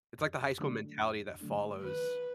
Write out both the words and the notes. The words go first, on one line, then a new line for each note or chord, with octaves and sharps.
It's like the high school mentality that follows
F2
D3 F#3 A3 D4
F2
D3 F#3 A3 D4
D#3 B4